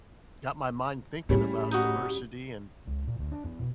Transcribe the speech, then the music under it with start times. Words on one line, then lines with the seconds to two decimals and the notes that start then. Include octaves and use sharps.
got my mind thinking about diversity and
1.29 A2 C#3 G3 C#4
1.72 D#4 F#4
2.87 C#2
3.07 A#2
3.19 D2
3.32 D4
3.44 E2
3.59 B2